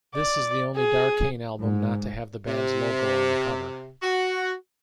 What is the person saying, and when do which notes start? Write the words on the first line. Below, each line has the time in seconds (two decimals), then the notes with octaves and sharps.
This the only Darkane Album not to have the band's Logo on the cover.
0.15 D5
0.76 G#4
1.62 G#2
2.47 C3
4.02 F#4